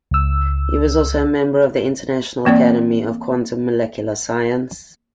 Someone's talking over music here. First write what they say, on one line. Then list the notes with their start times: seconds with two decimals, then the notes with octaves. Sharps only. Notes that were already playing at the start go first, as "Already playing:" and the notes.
He was also a Member of the International Academy of Quantum Molecular Science.
0.11 C#2 E6
2.45 E3 A#3 C4 D5